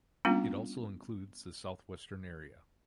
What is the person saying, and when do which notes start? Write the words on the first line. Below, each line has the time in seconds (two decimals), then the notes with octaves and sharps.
It also includes the southwestern area.
0.25 G3 A#3 B3 C#4 D4 F4